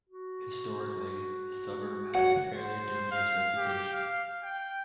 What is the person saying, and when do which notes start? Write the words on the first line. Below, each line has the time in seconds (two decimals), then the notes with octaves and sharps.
Historically, the suburb had a fairly dubious reputation.
0.09 F#4
2.15 F#4 C#5 F#5
2.56 C5
3.11 F5
3.57 G4
3.93 F5
4.44 G5